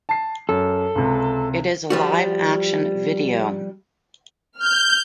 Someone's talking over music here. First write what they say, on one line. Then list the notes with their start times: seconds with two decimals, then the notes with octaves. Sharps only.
It is a live-action video.
0.09 A5 C7
0.49 F#2 A4
0.95 C#2 C3
1.90 F3 G3 F#4
4.59 F6 G6